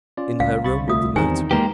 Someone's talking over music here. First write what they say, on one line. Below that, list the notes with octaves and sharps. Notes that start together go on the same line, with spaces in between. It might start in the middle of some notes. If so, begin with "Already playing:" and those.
"In her room with the notary."
C#4 F4 D5
C#2 F5
C2 B5 C#6 A6
D2 A3 F4 E5 D#6
E2 D#3 G3 C4 G#5 A#5
G#3 A#3 D#4 G4 B4 G5 A#5